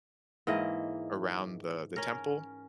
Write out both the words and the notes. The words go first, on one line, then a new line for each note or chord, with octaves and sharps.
around the the temple,
G#2 E3 A#3 D#5
C#4 A#4